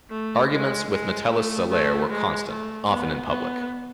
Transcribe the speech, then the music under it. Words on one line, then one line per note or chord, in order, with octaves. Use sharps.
Arguments with Metellus Celer were constant, often in public.
A3
G#3
G#3
A3
A3
G#3
A3
B3
B3